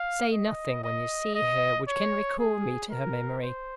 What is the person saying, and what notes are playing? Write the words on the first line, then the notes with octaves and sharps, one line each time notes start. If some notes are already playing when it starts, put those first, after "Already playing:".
Say nothing, when you see her, which can recall me to her memory.
Already playing: F5
D#5
D#5
D#5
C#5
G#4
A#4
C5